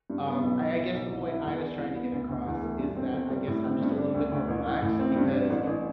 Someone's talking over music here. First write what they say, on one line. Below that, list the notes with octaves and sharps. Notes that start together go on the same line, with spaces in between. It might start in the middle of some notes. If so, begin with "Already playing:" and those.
Um, I I guess the point I was trying to get across is that I guess I'm just a little bit more relaxed, because
G2
B3
B1
B1
B1
B1
C2
E4
E2
D4
C2
B3
D2
D2
E2
A3
G2
C4
G1
G3
A2
C4
G2
D4
D2
D2
A1
A1
A2
C4
G2
D4
A1
A1